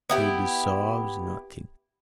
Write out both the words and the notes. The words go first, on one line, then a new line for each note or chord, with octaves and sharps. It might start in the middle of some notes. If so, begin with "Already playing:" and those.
He deserves nothing.
B3 E4 G4